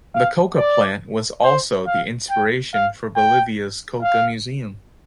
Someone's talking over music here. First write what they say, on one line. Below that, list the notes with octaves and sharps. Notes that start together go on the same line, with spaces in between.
The coca plant was also the inspiration for Bolivia's Coca Museum.
F5
D5
C5
F5
G5
F5
G5
F5